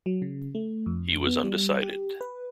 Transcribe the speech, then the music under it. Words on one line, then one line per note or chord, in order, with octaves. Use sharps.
He was undecided.
F#3
C#3
A3
F2
B3
G3
G4
B4